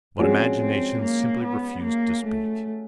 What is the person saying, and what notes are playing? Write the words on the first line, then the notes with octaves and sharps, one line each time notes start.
But imagination simply refused to speak.
F3 G#3 C4 C#4 F#4
C4
A#3
B3
A#3
A3